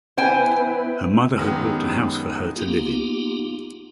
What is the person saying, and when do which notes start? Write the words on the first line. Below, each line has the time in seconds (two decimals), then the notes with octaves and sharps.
Her mother had bought a house for her to live in.
0.18 B3 E4 B4 C5 G5 G#5
1.37 F#2 D#3 F#3 G#3 B3 G4
2.56 A#3 B3 D#4 F4 G4